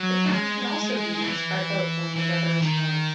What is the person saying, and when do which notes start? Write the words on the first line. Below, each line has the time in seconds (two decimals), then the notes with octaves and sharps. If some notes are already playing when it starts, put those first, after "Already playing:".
The town can also be reached by boat when the weather is warm.
Already playing: F#3
0.25 A3
0.31 G#3
1.23 E3
2.16 E3
2.62 D#3